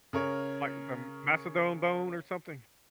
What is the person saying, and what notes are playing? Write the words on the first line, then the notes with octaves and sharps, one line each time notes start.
Like, the mastodon bone or something?
C#3 A#4 C#5